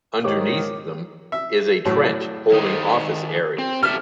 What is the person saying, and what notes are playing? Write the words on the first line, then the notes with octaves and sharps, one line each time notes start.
Underneath them is a trench holding office areas.
G#2 D#3 G4 C#5 D6
E5
A2 F#3
D#3 D#4 C5
C4
G4 A4 E5 F6